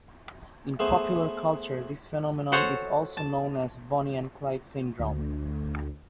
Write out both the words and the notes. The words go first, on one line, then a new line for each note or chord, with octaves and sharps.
In popular culture, this phenomenon is also known as "Bonnie and Clyde Syndrome".
A3 B3 G#4 C5
F#4 A4 C5 C#5 F#5
A5
D2